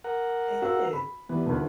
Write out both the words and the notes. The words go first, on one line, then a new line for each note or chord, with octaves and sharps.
It is.
A#4 F#5
F#4 F5 E6
B5
E3 G3 B3
D#1 D2